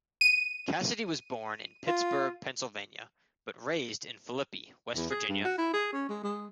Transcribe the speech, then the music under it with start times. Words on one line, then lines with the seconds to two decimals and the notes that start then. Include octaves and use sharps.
Cassidy was born in Pittsburgh, Pennsylvania, but raised in Philippi, West Virginia.
0.21 D#7
1.87 F4
4.95 E2
5.10 G#4
5.28 G2
5.44 F#4
5.58 E4
5.73 G#4
5.92 C#4
6.09 G#3
6.23 G#3